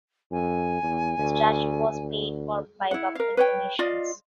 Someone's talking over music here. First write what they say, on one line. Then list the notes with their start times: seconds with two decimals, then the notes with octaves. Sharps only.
The statue was paid for by public donations.
0.32 F2 G#5
0.83 E2
1.18 D2
1.89 D2
2.91 E4 F#5
3.15 A#4 F5
3.37 B4 C#5 G5
3.79 F4 D5 D#5 F5